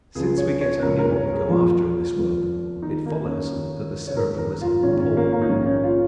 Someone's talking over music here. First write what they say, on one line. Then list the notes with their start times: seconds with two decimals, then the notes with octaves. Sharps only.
Since we get only what we go after in this world, it follows that the Cerebral is often poor.
0.15 C#2 C#3 F3 G#4
0.38 C#5
0.61 C#5
0.82 C#2 C#3 F3 A#4
0.99 A#4
1.16 C#5
1.33 G#4
1.49 F1 F2 F3 F4
2.16 F1 F2 F3
2.82 D#2 D#3 D#4
3.06 A#3
3.27 C#4
3.50 D#2 D#3
4.07 C#5
4.16 G#1 G#2 D#3 A#4
4.38 A#4
4.61 F4
4.83 G#1 G#2 D#3 C#4
5.00 C#4
5.17 A#3
5.32 A#3
5.42 D#4
5.49 A#1 G#2 D#3 C#4
5.66 C#4
5.84 F4